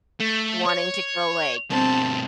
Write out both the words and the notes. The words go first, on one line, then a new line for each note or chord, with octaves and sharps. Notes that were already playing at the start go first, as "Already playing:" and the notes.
wanting to go like
A3
C#5
G2 B2 C4 A5